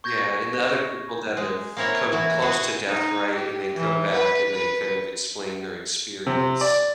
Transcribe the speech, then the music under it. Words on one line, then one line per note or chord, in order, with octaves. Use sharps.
Yeah, and the other people that have come close to death, right, and they come back, and they kind of explain their experience.
C#6 G6 G#6 A#6
G#3
A#3 C4 E4 A#4 C#5 F#5
E3 E4 F#4
F#4 G#4 B4 F#5
D#4
G4
E3
B4
B4
C3
D5